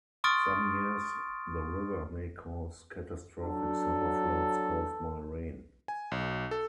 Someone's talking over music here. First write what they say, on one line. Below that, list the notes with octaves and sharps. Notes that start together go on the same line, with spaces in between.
Some years the river may cause catastrophic summer floods caused by rain.
C6 C#6 D#6 F6 A6 D7
F#3 D4 A4
G#5
B1
A4